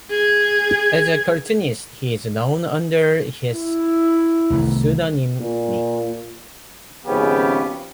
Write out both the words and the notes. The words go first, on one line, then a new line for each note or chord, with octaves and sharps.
As a cartoonist he is known under his pseudonym Nick.
G#4 G#6
E4
C2 D#3 A3
A#2
G#1 C#3 F3 B3 C#4 G4